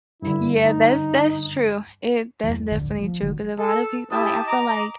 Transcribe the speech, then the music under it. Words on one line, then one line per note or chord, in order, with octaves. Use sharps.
Yeah, that's that's true. It that's definitely true, 'cause a lotta people like, I feel, like
G2 D3 E4
D#4
E2 G2 E3
D1 A#1 G#2 D3
F3 G3
G1 D3 F#3
A4
E4 G4 A5 D#6
D#5 A#5 D6